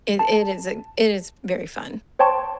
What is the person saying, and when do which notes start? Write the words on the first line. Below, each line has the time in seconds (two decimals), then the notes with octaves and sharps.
i it it is it is very fun.
0.19 A5
2.19 C5 C#5 G5 A5 C6 C#6